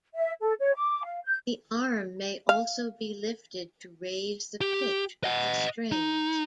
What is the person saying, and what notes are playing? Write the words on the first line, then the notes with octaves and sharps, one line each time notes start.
The arm may also be lifted to raise the pitch of the strings.
E5
A4
C#5
D6
F5
G6
F5
G4
D#5 F#5
D#4